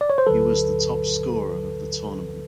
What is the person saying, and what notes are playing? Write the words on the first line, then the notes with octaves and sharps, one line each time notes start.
He was the top scorer of the tournament.
D5
C#5
C5
D2 D3 F#3 A4 B4